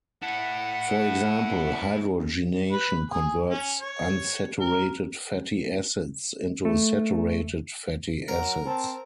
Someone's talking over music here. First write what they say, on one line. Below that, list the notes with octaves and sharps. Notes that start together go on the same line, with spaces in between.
For example, hydrogenation converts unsaturated fatty acids into saturated fatty acids.
E4 A4 F#5
B4
G#4
C#4
C#5
A#4
A3
F#3 A#4
C4 A5